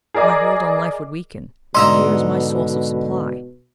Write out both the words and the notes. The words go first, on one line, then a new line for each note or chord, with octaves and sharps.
My hold on life would weaken; here is my source of supply.
G#4 A#4 D5 D#5 D6
G#2 B2 D3 D#5 E5 A#5 C6